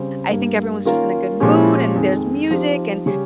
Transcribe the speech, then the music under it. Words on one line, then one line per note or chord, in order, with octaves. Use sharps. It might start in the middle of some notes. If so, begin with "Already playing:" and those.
I think everyone's just in a good mood, and there's music and
Already playing: C#3 G3 C4
G2 G3 A#3
D#3 A#3 C#4 F4 A#4
A#2 F3 G#3 C#4 G4
F2 D#3 G#3
F3 C4 D#4 G4
C#3 G3 C#4 G4